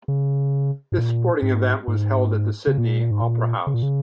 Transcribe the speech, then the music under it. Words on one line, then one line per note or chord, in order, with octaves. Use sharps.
This sporting event was held at the Sydney Opera House.
C#3
G#2
A#2
G#2
G#2
C#3
A#2
G#2
A#2
C#3
A#2
C#3